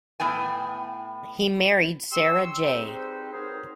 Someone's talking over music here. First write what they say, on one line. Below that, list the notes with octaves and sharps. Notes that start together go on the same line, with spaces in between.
He married Sara J.
A2 B3 G5 G#5
G4 C#5 C6 C#6 E6
G3 C4 D#4 G#4 B4 C5
F#3 D#4 G#4 A#4 C5